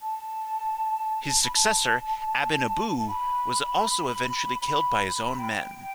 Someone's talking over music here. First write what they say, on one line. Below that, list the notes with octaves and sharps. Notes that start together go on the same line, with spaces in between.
His successor, Aben Aboo, was also eventually killed by his own men.
A5
B5
A5
A5
B5
B5
G5
G5